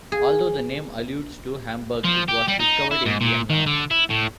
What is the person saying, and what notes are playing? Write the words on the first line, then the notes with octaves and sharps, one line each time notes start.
Although the name alludes to Hamburg it was discovered in Vienna.
G#4
F3
G4
G3
D#4
E4
G#2
A#2
D#3
D3
E4
A2